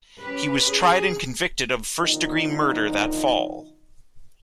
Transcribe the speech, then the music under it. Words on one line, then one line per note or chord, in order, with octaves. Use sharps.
He was tried and convicted of first degree murder that fall.
C#4 G4 B4
G#4
A#2 D3 D#3 F3 D#4